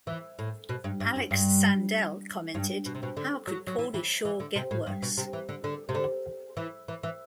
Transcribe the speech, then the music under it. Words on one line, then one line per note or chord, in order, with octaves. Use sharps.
Alex Sandell commented How could Pauly Shore get worse?!?
E3
A2
B2
G2
G2
F#2
G2
G2
B2
C3
B2
D3
F#3
F#3
E3
E3
E3
D3
C3
A2
G2
B2
C3
E3
D3
D3
C3
D3
E3
E3
E3